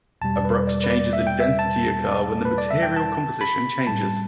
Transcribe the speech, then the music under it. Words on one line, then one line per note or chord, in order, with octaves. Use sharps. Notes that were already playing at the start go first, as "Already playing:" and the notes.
Abrupt changes in density occur where the material composition changes.
E2 B2 G3 A5
D5
B4
D5
B4
D5
E5
G5
E5
A5
B4
D5
E5
G5
A5
B5
A2 G3 A5